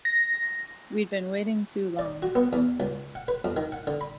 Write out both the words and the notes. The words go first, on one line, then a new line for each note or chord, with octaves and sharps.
We'd been waiting too long.
A#6
D5
F#4
B3
E2
C#2
F#5
B4
F2
D#3
F#5
D3
B5